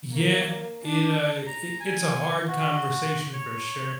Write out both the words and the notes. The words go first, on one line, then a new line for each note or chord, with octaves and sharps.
Yeah. It, uh, i it's a hard conversation for sure.
A#3
D4
A#5
G#5
F#4
C#5